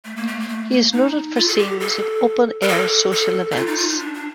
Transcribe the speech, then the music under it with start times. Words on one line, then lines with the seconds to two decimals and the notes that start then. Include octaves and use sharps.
He is noted for scenes of open-air social events.
0.05 A3
0.16 A#3
0.27 A3
0.40 A#3
0.48 A3
0.71 A#3
0.92 D#4
1.36 F4
1.48 A4
1.58 G4
1.80 A4
2.62 A#4
2.68 A4
3.12 A4
3.51 D#4
3.56 F4
3.67 D#4
3.78 F4
3.89 D#4
3.99 D4
4.14 D4